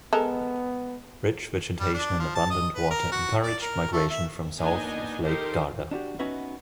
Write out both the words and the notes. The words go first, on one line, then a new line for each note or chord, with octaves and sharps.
Rich vegetation and abundant water encouraged migration from south of Lake Garda.
G#3 B3 A4 A#4
G3
D4
F3
A5
D#5
B4
A#4
F#4
D5
A#4
A3
E5
A#3 B3 D4 D#4 D#5 G#5
D#4 G4 A4 A#4 C5
D4 D#4 F#4 G4
B3 C#4 D#4 F#4 B4 E5